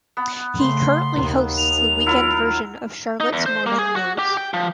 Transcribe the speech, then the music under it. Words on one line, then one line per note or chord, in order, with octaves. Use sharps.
He currently hosts the weekend version of "Charlotte's Morning News".
B3
C#3 A3 C6
D#2 D#3
F7
F#3 E4 F4
D#4
E2
C5
A#3
G#4
F#4
G4
G5
F3